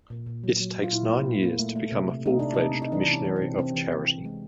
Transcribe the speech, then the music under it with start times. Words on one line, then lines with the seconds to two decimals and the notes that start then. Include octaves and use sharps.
It takes nine years to become a full-fledged Missionary of Charity.
0.10 A#2
0.26 A#2
0.43 F#3
0.60 F#3
0.77 F#3
0.84 F4
0.93 A#2 E4
1.09 A#3
1.26 A#2
1.43 A#3
1.59 A3
1.76 A3
1.92 C3
2.09 C3
2.26 A3 D#4
2.39 C3 D4
2.54 C3 D#4
2.75 C3
2.82 D#4
2.92 E3 D4
3.09 C3 C#4
3.25 E3
3.36 C4
3.42 C3
3.58 C3 C4
3.74 E3
3.92 C3
4.08 C3
4.25 G#3